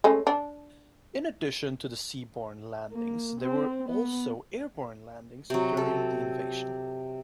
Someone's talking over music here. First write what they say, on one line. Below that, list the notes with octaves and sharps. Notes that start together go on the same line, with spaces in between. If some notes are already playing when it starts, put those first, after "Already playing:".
In addition to the seaborne landings, there were also airborne landings during the invasion.
G#3 A3 C#4
D4
A#3
C4
B3
C3 F#3
A4